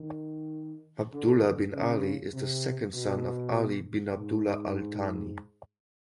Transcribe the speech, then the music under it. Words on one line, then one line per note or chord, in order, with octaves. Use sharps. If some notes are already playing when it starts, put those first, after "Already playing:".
Abdullah bin Ali is the second son of Ali bin Abdullah Al Thani.
Already playing: D#3
D3
C#3
C3
B2
G#2